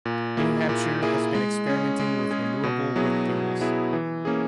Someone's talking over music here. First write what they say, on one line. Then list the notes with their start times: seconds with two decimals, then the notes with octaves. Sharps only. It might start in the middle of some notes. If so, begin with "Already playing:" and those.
New Hampshire has been experimenting with renewable wood fuels.
0.05 A#2
0.37 A#3 E4 G#4
0.69 A#2
1.02 A#3 E4 G#4
1.35 G#3
1.66 C#4 G#4
1.99 G#3
2.31 C#4 G#4
2.64 B2
2.96 F#3 B3 E4 G#4
3.29 B2
3.60 F#3 B3 E4 G#4
3.93 E3
4.25 A#3 C#4 G#4